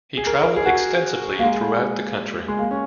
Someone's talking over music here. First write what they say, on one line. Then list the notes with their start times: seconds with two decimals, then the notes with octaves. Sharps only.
He traveled extensively throughout the country.
0.17 G#4
0.27 A#4
0.42 A#4
0.56 G#4
0.66 F#4
0.70 G#4
1.39 A#3
1.43 G#3
2.48 G#3
2.58 A#3
2.71 C#4